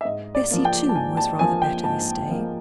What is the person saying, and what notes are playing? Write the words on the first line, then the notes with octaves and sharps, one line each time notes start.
Bessy, too, was rather better this day.
E5
G#2 D#5
D5
F3 A#3
G5
A5
G#2 G#5
A5
F3 A#3 G#5
G5
G#2 A5
F3 A#3